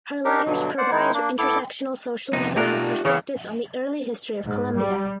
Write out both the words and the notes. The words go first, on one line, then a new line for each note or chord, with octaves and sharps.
Her letters provide intersectional social and economic perspectives on the early history of Colombia.
D4 D#4 G4 A#4
G2 B2 D3 F#3
C5 D5 F#5
D#3 G#3 D#4 E4
A#3 D4
A2 B3 E4 A4 D6
F2 C3 B3 D#4
B2 A3 A#3 F4 G4 A#4 D5 F#6
C#3 E3 C#5
G#2
G3